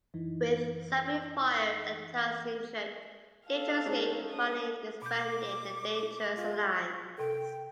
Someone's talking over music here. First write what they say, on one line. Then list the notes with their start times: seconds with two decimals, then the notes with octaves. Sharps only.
With Sabu fired and Taz injured, Dangerously finally disbanded The Dangerous Alliance.
0.14 F#2 E3 D#4
3.47 A4 F5
3.86 G#3 C#4 D#4
4.30 D4 D#6
5.02 B2 D6 G6
6.36 F4
7.18 C3 A4 G5